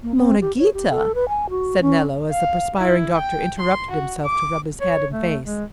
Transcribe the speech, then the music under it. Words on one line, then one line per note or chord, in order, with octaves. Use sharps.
"Monna Ghita!" said Nello, as the perspiring doctor interrupted himself to rub his head and face.
A#3
C4
G4
C#5
G4
A4
B4
G#5
F#4
C#4
F5
E4
G5
C6
F#4
D6
C#5
A3
G#3